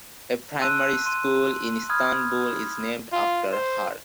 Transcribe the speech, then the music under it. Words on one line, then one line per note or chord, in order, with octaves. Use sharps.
A primary school in Istanbul is named after her.
A5 C6 E6 F#6 D#7
C6 D#7
B5 D#6 F6 G#6
F4
C5